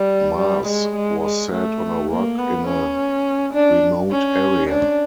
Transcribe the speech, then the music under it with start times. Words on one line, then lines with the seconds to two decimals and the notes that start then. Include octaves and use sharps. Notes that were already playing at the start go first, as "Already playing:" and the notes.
Mass was said on a rock in a remote area.
Already playing: G3
0.37 G3
0.67 G#3
0.95 G#3
1.23 G#3
1.53 A3
2.11 A#3
2.38 B3
2.68 C#4
3.53 D4
4.11 C#4
4.69 D4